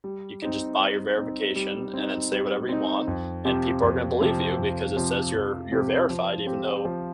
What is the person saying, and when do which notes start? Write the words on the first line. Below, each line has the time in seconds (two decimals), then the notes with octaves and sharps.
you can just buy your verification, and then say whatever you want, and people are gonna believe you because it says you're you're verified, even though
0.04 G3
0.42 C4 D#4
0.80 G3
1.18 C4 D#4
1.56 G3
1.94 C4 D#4
2.32 G3
2.69 C4 D#4
3.07 F2
3.45 C3 F3 C4 G4
3.83 F2
4.20 C3 F3 C4 G4
4.58 F2
4.96 C3 F3 C4 G4
5.34 F2
5.72 C3 F3 C4 G4
6.10 F3
6.47 C4 G4
6.85 F3